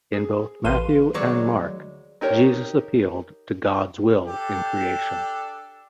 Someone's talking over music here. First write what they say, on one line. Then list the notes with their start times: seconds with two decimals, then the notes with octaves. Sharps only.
In both Matthew and Mark, Jesus appealed to God's will in creation.
0.13 G#4
0.64 A1 B4 F5 C6 D#7
1.14 D2 D#3 F#3 G#3 C#5 D5
2.21 D#4 G4 A#4 C#5
4.27 D4 G4 A4